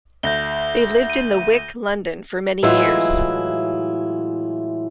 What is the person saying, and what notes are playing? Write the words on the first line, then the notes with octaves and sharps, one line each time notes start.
They lived in The Wick, London, for many years.
D2 G6 A#6 G7
D#7
A2 E3 F#3 G#3 E4 F4